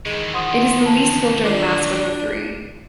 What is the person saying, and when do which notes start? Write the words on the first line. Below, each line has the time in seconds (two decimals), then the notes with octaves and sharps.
It is the least filtering mask of the three.
0.06 D#3 E3 G#3
0.34 F3 F#5 C6 D#6
0.85 A5
1.46 D4 F4 D6